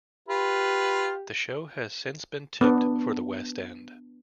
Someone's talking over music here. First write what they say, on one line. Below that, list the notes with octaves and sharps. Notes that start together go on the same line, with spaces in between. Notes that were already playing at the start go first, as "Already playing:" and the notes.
The show has since been tipped for the West End.
F4 G4 B4
B3 D4